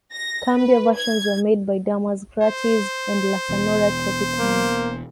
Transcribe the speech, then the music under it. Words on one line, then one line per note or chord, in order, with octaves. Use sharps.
Cumbia versions were made by Damas Gratis and La Sonora Tropicana.
A#6
B4
G#6
C5
E1 E2 B2
A#3